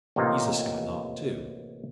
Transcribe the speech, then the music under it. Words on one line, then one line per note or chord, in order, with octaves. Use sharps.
He's a Skylark too.
A1 C3 A#3 D#4 F4